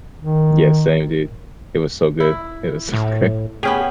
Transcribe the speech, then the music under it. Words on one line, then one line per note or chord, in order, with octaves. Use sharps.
Yeah. Same, dude. It was so good. It was so good.
D#3
E4
A2
B3 C#4 G4 G#4